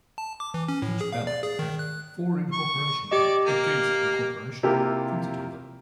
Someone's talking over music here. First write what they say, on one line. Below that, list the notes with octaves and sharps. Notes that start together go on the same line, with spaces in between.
Each ballot had "For incorporation" and "Against incorporation" printed on them.
A5
D6
E3
C#4
A2
G#4
F5
D5
G#4
D#3
F#6
C#6
G4 D5 D#5
A#3
C3 A#3 E4 F4 G4 A#4